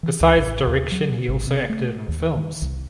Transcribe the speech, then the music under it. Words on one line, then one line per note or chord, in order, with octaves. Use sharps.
Besides direction he also acted in films.
E3
C#2
A1
D#2
F#3
G#1
C3
A3
D#2
D#3
C2